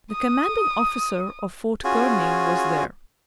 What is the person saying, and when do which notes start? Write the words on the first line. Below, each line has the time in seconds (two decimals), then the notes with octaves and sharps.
The commanding officer of Fort Kearney was there.
0.11 D#6
1.84 C#4 F4 F#4 G#4